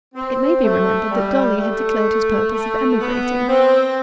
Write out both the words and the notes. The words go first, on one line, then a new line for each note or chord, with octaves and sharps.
It may be remembered that Dolly had declared his purpose of emigrating.
C4
A3
G3
A3
A3
B3
C4